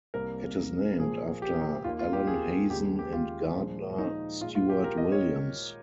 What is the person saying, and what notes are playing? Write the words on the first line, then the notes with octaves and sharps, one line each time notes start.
It is named after Allen Hazen and Gardner Stewart Williams.
C2 C3 G3 A#3 A#4
A#2 F3 A#3 G#4
G4
D#2 D#3 A#3 F4
F4
G4
G#4
D#2 C#3 G#3 G4
G4
F4
A#2 F3 G#3
D#4
A#2 G#3 F4
F4
G4
A#4
D#5
C#5